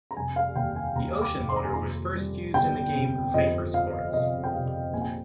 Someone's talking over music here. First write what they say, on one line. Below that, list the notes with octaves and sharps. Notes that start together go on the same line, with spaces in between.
The Ocean Loader was first used in the game "Hyper Sports".
A#5
F1 G#5
F5
D#2 G5
G#5
D#2 A#5
D6
F1
C6
A#5
G#5
F2 A#5
G3
G1 G5
C3
F2 D#5
F3 F5
C3 D#5
G5
C3 F5
A#1 G#5
G5